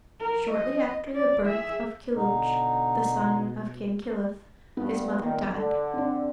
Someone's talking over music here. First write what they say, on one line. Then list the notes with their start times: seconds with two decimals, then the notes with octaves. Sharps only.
Shortly after the birth of Kilhuch, the son of King Kilyth, his mother died.
0.20 A#4
0.50 D#5
1.15 D5
1.46 G#4 E5
2.17 B2 D3 D#4
4.77 G2 B3
5.21 A#2 D#3
5.54 D3
5.94 C4 D4